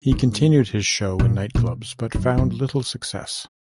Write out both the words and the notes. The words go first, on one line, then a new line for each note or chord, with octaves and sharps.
He continued his show in nightclubs but found little success.
G#2
A#2
A#2
F#2
F#2